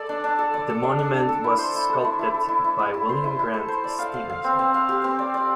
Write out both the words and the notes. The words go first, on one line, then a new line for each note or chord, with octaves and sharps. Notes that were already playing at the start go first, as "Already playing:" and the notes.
The monument was sculpted by William Grant Stevenson.
Already playing: A4 D5
D4
D4
A4
D5
A4
D4
D4
A4
A4
E4
C5
E4
A4
E4
E4
A4
E4
E4
E4
E4
C5
E4
E4
A4
C5
D5
F5
F5
F5
C4
C4
F5
G4
C4
D5
D5